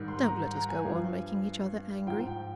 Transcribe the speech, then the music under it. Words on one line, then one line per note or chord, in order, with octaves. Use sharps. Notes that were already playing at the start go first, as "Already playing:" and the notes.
'Don't let us go on making each other angry.
Already playing: G#2 D#3 G3
C6
A#5
A#5
G#5
G2 F3
G#2 F3 G5
G5